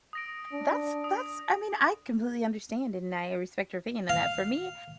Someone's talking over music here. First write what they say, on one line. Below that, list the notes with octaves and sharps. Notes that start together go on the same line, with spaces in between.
That's that's I mean, I completely understand, and I respect your opinion on that For me,
D#6 A#6 D7
D4
D#6
F5